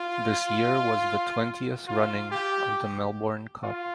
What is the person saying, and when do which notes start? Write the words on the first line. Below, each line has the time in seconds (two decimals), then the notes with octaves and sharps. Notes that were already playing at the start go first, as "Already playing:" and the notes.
This year was the twentieth running of the Melbourne Cup.
Already playing: F4
1.88 F4
2.31 G4
3.64 F4